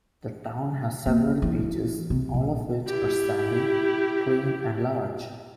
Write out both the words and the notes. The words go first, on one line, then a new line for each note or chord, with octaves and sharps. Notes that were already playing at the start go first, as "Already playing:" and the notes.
The town has several beaches, all of which are sandy, clean and large.
A#3
E3
C3
A#1
E4 G4